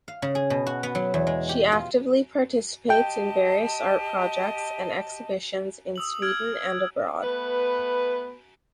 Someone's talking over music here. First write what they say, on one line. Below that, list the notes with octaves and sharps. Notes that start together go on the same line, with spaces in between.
She actively participates in various art projects and exhibitions in Sweden and abroad.
F5
C#3
G#4
B2
F#4
B3
F#3
E2
G#3
G4
F4
G4 D#5 G5 A5
D#6 E6 F#7
E6 F6 G#6 D7
A3 B3 B4